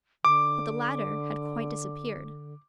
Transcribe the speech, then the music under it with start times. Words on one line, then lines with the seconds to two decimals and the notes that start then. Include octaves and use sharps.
But the ladder had quite disappeared.
0.25 D3 D6